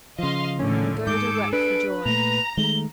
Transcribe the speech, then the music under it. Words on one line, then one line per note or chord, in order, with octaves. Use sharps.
And Gerda wept for joy.
C#3 F3 D#5 F5 C6
D#2 A2 D3 C#4
G#2 G#4 A4 D6 G6
D4 B4 D7
A#2 A3 A#5 F7
D#3 G#3 A3 G7